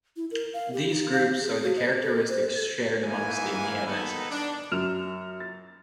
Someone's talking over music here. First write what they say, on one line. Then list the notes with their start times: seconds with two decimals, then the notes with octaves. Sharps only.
These groups are the characteristics shared among the amino acids.
0.17 E4
0.31 A#4
0.53 F5
0.73 G4
0.89 D#4
1.12 F5
1.41 G#4
1.63 F#4
1.77 D#5
2.01 A4
2.29 C5
2.57 A4
3.04 G#2 E3 A#3 G#5
3.87 D#3 B3 D#4 A4 B4
4.31 D4
4.72 F#2 F6 E7 F7
5.40 A6